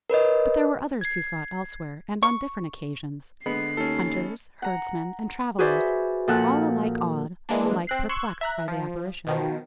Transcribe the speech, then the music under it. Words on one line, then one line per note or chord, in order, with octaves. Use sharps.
But there were others who saw it elsewhere and on different occasions-- hunters, herdsmen, and travellers--all alike awed, alike perplexed, by the apparition.
A#4 B4 C#5 D#5
G#6 C7
C#6
D3 G#3 B3 B4 C7
D#2 C#4 A4
F#5 A#5
F#4 G#4 B4 C5 D5 E5
A#2 F3 A4 F#5 F#6
E3 G#3 A#3 D4
C4 F#6 C7
C6 C#6 E6 F#6 G#6
E5 A#5 F#6
F3
B2 D#3 F3